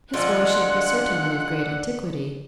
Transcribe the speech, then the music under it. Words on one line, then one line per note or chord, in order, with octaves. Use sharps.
His worship was certainly of great antiquity.
F2 D3 G#3 F4 F#5